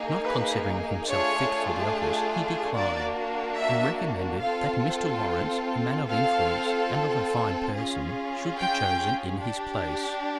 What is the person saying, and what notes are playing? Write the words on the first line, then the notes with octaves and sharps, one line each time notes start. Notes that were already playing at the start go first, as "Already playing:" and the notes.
Not considering himself fit for the office, he declined; and recommended that Mr. Lawrence, a man of influence and of a fine person, should be chosen in his place.
Already playing: A#3 D#4 G#4
B4
A3 D4 F4 G#4 C#5
A#3 D4 F#4 D5
E5
C4 F4 A4 F5
C4 F4 A4 F5
C#4 F4 G#4
G5
D4 G4